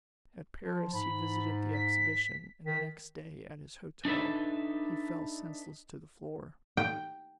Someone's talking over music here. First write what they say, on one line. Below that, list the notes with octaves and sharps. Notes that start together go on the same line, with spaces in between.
At Paris he visited the Exhibition, and the next day, at his hotel, he fell senseless to the floor.
F3
G#2 B5
B6
D#3 B6
D4 D#4 A4 B4 E5
G5